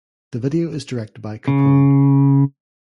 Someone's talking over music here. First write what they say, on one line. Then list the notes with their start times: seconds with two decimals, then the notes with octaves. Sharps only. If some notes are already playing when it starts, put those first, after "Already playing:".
The video is directed by Capone.
1.48 C#3